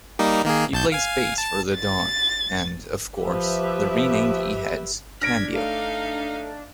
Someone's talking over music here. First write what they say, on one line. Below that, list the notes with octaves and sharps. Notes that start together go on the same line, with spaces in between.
He plays bass for The Dawn and, of course, the renamed Eheads, Cambio.
G3 A#3 D#4
D#3 A#3 G#4
B1 A5 G6
F5 G#5
A5
A6
F3 G4 B4 E5
D4 F6 G#6 A#6 B6 D7
A3 D#4 F5